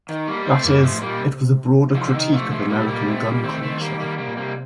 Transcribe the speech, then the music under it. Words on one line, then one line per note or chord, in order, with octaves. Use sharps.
That is, it was a broader critique of American gun culture.
D#3
G3 A#3
A3 C4
F2 G3 A#3
G2 F3 A3
A2
A#2 G3 A#3
C3
D3 F3
D#3
F3 A3
D3
F3 A3
C3
A#2 G3 A#3
C4
G3 A#3
A#2 A3 C4
G3 A#3
D#3 A3 C4
A3 C4
G3 A#3
G3 A#3
C3 G3 A#3
A#2
C3 G3 A#3